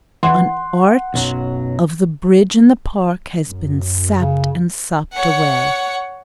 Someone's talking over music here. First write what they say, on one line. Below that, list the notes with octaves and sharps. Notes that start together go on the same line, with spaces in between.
An arch of the bridge in the park has been sapped and sopped away.
E3 F#5 C6
B1 F#2 F#3
F#2
C#3
C#5 F#5